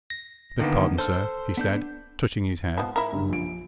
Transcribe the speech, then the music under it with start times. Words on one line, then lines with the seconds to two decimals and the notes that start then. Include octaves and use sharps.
"Beg pardon, sir," he said, touching his hair.
0.10 A#6
0.59 D3 D#3 A#3 B3
0.98 A4 C5 C6 F6
1.57 B3 D4 G6
2.78 G#2 F3 B3
2.96 E4 A#4
3.12 F#1 G2
3.29 A#1 D7